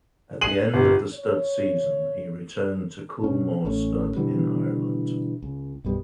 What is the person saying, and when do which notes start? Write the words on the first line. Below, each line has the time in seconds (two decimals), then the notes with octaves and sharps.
At the end of the stud season, he returned to Coolmore Stud in Ireland.
0.41 C7 D#7 F#7
0.74 G1 G4
1.13 C#5
3.24 B2 C#4
3.65 A1 A3 C#4
4.16 B2 D3 E3 G3
5.43 C#2
5.85 B1 F#2 G3 B3